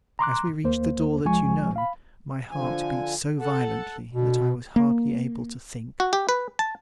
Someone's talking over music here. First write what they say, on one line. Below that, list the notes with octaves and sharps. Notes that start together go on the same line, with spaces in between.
As we reached the door that you know, my heart beat so violently that I was hardly able to think.
A#5 C6 D6 F#6
D#2 A#3 C5
C2 F3 G#3 G#5 C#6
F5 B5
D3 F3 G#5
A4 F#5 A5
B2 D3
A#3
F#4
G4
B4
A5